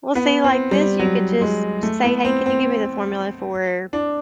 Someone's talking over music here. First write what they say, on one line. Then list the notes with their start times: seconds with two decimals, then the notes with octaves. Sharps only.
Well, see, like this, you could just s say, "Hey, can you give me the formula for
0.15 B3
0.44 C4
0.71 G3
0.99 F#3
1.41 G#3
1.83 A3
2.04 B3
2.25 C4
2.46 C4
3.93 D4